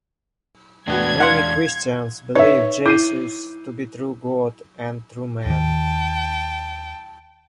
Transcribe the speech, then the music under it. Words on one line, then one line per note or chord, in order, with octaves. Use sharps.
Many Christians believe Jesus to be true God and true man.
E2 A2 B3 D4 F#4 G#6
F5 F#5 C6
D#4 B4 C#5 E5
E4 G6 C7 D#7
D#2 D#3 G5 A5